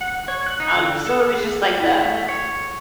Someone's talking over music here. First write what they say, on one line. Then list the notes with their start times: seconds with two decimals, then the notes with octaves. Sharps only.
um, so it was just like the
0.01 F#5
0.28 C#5
0.46 F#6
0.60 D#4
0.76 D3
1.06 A4
1.32 G#4
1.80 E4
2.05 A3
2.29 C#5